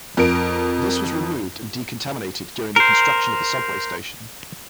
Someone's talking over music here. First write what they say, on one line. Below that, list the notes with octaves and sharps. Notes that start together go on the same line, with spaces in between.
This was removed and decontaminated during the construction of the subway station.
F2 A#4 D7
A#4 C5